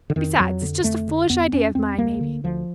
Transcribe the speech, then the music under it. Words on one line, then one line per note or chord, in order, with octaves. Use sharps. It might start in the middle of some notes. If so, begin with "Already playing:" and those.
Besides it's just a foolish idea of mine, maybe.
D3
F2 D#3
F2 F#3
D3
F2 A3
D3
F2 B3
F2 C#4
F2 C4
D2 A#3
D3
D2 F3